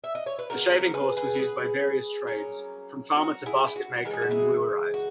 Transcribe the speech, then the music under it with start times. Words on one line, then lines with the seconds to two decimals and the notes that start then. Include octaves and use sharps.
The shaving horse was used by various trades, from farmer to basketmaker and wheelwright.
0.04 E5
0.15 D#5
0.26 C#5
0.39 B4
0.50 C#3 F#3 B3 F#4 A#4
0.72 F#4 A#4
0.94 G#4 B4
1.17 G#4 B4
1.39 G#4 B4
2.27 F#3 A#3 C#4
3.16 F#4 A#4
3.46 E4 G#4
3.67 E4
3.76 F#4
4.04 C#3 E3 G#3 D#4 A#4
4.13 G#4
4.22 F#4
4.31 E4 G#4
4.94 F#4